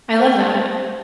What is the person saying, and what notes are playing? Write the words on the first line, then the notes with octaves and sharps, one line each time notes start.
I love that.
C5